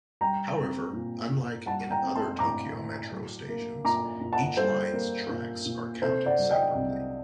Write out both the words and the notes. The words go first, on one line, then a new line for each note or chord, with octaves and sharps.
However, unlike in other Tokyo Metro stations, each line's tracks are counted separately.
G3 G5 A#5
C4
A#2
A#2
G3 F#5 A5
G5 A#5
C4
A5 C6
A2 A#5 D6
A2
F#3
A#3
A#2 A#5 D6
A#2
F#5 A5
G3 A4 C5
A#3
A#2
A#2
C3 A4 C5
D5 F#5
F#3
D#5 G5
C2